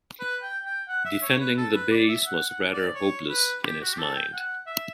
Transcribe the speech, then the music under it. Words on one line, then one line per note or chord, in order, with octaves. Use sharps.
Defending the base was rather hopeless, in his mind.
B4
G5
G5
F#5
E5
C#5
B4
A4
B4
D5
E5
F#5
F#5
D5
C#5
B4
G4
F#4
G4
A4
G5
F#5
E5